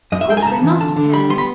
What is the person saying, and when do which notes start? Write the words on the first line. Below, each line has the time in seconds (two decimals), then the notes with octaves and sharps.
Of course they must attend.
0.12 F#2 D#5
0.21 E5
0.29 G#3 G5
0.37 G#5
0.42 A#5
0.46 C#3 A5
0.63 E3
0.80 D3 A5
0.96 D3
1.13 G3 B5
1.30 B3 C6
1.38 B5